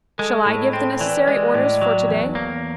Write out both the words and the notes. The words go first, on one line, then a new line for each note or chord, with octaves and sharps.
Shall I give the necessary orders for to-day?
G#3 A4
A2
C4
E3 D5
G#3
A2
F#3
E2
A#3